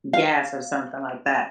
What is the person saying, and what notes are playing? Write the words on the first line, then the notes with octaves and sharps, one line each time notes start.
gas, or something like that.
F5